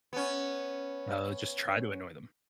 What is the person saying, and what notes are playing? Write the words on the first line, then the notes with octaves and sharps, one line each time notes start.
Oh, just try to annoy them.
B3 C#4